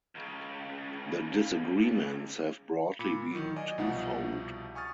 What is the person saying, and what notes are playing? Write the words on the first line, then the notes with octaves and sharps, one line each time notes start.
The disagreements have broadly been two fold.
C#2 C#3
A#2 B5 D6 C#7
D#3 F#3
D5 D#5 G#5
C2 B2 F3 D#4 F#5
G#5 C#6 D#6 F6 A6